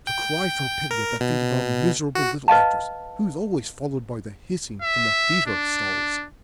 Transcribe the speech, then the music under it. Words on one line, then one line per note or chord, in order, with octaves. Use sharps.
To cry for pity at the feet of a miserable little actress who's always followed by the hissing from the theatre stalls!
G5
A#4
B2
F#4
B4 D#5 F5 A5
E5
D4